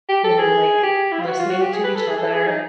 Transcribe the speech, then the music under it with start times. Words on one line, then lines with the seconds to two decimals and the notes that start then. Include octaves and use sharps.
You know, like listening to each other
0.09 G4
0.24 A4
0.38 G#4
0.83 G4
1.12 E4
1.20 F4
1.28 F#4
1.39 F4
1.50 F#4
1.61 G4
1.73 G#4
1.84 B4
1.96 A4
2.07 G#4
2.18 A4
2.32 G#4
2.47 D#4